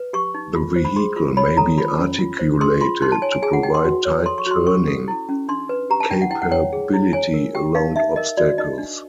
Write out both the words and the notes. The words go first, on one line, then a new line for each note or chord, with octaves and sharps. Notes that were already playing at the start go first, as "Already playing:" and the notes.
The vehicle may be articulated to provide tight turning capability around obstacles.
Already playing: B4
G4 C#6
D#4
F4
C5
B5
G#4 C6
F4
C#5 B5
A4 A#5
F4 B5
C#4
F4
C5
G#4 C6
F4 C6
D#4 C6
A5
C#5 G#5
G#5
G#4 G#5
F#5
D#4 G5
C6
F#4
C#5
A4 C6
C#6
F#4 C6
C#4 C#6
A4
E4
C#4
D4 C6
B4
G4 A#5
A5
D4 G5
F#5
E4 G5
F#5
C#5 G5
G#4
E4
C#5 G#5
A#4
G4 G5
D#4 F5
D#4 E5
A#4 D#5
F#4 D5
D#4 D#5
D4